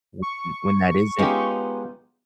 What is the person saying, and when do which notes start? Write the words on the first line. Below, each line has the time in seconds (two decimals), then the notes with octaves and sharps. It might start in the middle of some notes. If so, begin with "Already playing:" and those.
w m when that isn't,
0.22 C#6
1.19 G#3 B3 C#4 D#4 F4 G4